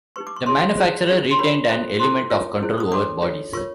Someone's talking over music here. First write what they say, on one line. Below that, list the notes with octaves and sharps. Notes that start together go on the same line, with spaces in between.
The manufacturer retained an element of control over bodies.
D#4 G4 B4 C#6
D6
C#6
E4 G#4 C#5 C6
F4 G#4 C5
C#4 F4 G#4 C#5
C6
D4 F#4 A#4 C#5 B5
F4 A4 C5
E4 A4 C5 C6
F4 A#4 C#5
C#4 E4 G#4 C5
D#6
D4 F#4 A4 C#5 D6
F4 A4 C#5
F4 A#4 C#5 C#6